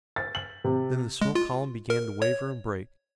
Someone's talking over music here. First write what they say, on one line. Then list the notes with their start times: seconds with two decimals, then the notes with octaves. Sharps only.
Then the smoke column began to waver and break.
0.16 A6
0.35 F#7
0.64 C3
1.22 G#3
1.35 F4
1.90 A#4
2.22 C#5